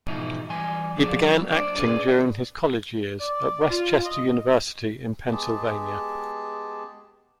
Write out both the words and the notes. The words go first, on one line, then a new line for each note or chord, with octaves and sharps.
He began acting during his college years at West Chester University, in Pennsylvania.
G#2 B2 E3 F3 D#4 E4
E3 G3 G#5 C6
F3 D4 G#4 A4 D5
F#3 G3
D4 C5 D5
C#4 G#4 B4 D5
D5
F4
D#5
G#3 B3 G4 G#4 A5